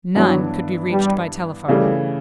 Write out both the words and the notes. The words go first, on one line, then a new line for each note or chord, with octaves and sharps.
None could be reached by telephone.
G2 E3 F#3 B3 D4
G3
C#3 E3 G3 A3